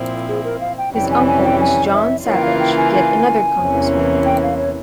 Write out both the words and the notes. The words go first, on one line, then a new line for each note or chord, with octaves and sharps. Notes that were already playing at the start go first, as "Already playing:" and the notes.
His uncle was John Savage, yet another Congressman.
Already playing: A#2 F3 C4 E4
G#4
A#4
F5
G5
F2 C3 E3 G3 C#4 G5
G#5
G#5
G5
G#5
E5
C#3 E3 A#3 F4 C#5
G5
F5
G5
G#5
G#5
E2 C3 E3 A#3 C#4
G5
F5
C#5